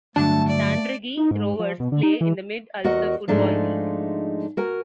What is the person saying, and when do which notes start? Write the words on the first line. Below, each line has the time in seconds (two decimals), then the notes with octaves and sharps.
Tandragee Rovers play in the Mid-Ulster Football League.
0.16 G2 D3 F#3 A3 D4 A5
0.48 D5
1.17 D#4
1.31 G#2
1.43 G#2
1.59 F3
1.80 B2
1.92 D3
2.03 D#4
2.21 E3
2.84 E2 F#4 A#4 D#5 F#5
3.28 G#2 F3 G#3 A3 D4 D#4
4.57 F#4 A#4 G#5